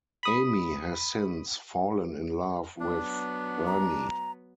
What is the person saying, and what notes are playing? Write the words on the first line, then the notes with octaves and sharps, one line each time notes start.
Amy has since fallen in love with Ernie.
B5 D#6
F#3 B3 D4
A#5